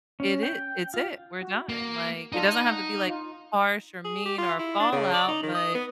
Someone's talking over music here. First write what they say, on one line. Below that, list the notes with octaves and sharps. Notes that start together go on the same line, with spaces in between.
it it it's it, we're done, like, it doesn't have to be, like, harsh or mean, or a fallout, but
C#4
G5
F4
F#4
A#3
D4 D#4 F4 A4
F#5
D#4 F4
G#4
G4
F4
E4
D4
C#3
D5
D#4
D#3
D#5
B3